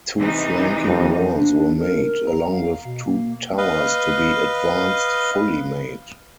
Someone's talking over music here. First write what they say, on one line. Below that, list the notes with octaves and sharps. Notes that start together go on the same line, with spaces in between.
Two flanking walls were made, along with two towers to be advanced fully made.
C3 E3 D#4
F2
D4
A#4
A#5
F5
B2
A#3
B4 D#5 F5